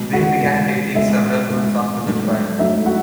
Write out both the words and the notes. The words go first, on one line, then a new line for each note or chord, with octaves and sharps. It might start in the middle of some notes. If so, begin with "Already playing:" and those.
They began dating several months after the trial.
Already playing: B2 G#3 B3
F#4 F#5
B2 G#3 B3
B2 G#3 B3 E5
B2 G#3 B3
G#2 F#3 A3
G#2 F#3 A3 E5
F#4 F#5